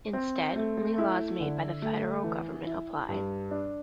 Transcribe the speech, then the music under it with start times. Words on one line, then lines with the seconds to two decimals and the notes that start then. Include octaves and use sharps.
Instead, only laws made by the federal government apply.
0.13 C4
0.56 A3
0.98 E4
1.40 D3
1.82 A3
2.24 E3
2.66 E4
3.09 G2
3.51 D4